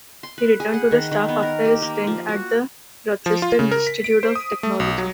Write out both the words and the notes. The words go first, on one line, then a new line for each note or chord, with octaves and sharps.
He returned to the staff after his stint at the Rochester Institute of Technology.
C6
B4
G#4
F#5
D#3
D#3
B3
A#4
G4
A#3
F3
F#4
F3
F4
C#3
A#4
B6
D7
C5
D#6
A3
B1
F#3